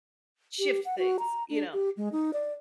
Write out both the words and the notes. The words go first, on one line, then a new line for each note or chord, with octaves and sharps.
shift things, you know,
G4
F#5
F#4
A#5
D4
G4
G#3
D#4
D5